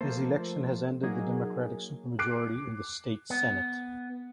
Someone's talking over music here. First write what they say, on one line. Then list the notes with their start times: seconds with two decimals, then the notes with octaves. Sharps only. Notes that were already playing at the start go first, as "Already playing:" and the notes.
His election has ended the Democratic supermajority in the State Senate.
0.01 F3 A3 A#3 A4 C5
1.03 F#3 A#3 D#4 G#4
2.19 D6 F#6 C7 D7
3.30 B3